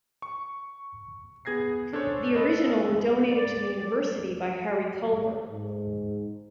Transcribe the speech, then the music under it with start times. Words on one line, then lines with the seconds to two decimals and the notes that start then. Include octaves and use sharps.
The original were donated to the university by Harry Culver.
0.22 C#6
1.45 B3 G#4 G#6 A#6 C7
1.93 C#4 D4 A4 C5 C#5
2.36 A4 B4 D#5
3.28 D5
5.50 G#2